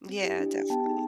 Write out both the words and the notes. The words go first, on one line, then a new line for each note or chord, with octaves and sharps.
Yeah, definitely.
C4
E4 G4
D4
G4
B3 G5 A5
D#4 G#4